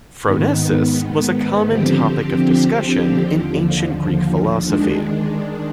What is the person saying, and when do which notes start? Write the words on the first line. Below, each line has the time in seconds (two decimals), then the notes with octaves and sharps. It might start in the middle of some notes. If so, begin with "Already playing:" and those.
Phronesis was a common topic of discussion in ancient Greek philosophy.
0.22 G#2 D#3 B3
1.69 D3 F3 C4 G4
3.17 D#2 D3 F3
4.65 D#3 G#3 D4